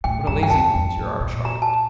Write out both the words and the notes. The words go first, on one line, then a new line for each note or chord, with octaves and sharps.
What a lazybones yer are, Charlotte.'
A2 G5
G2 A#5
G5
E2 A5
F2
A2
A#2
A#5
A5